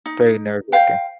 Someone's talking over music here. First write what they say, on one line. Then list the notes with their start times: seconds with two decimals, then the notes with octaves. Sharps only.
very nerve-wracking.
0.06 D#4
0.72 C5 F5 G5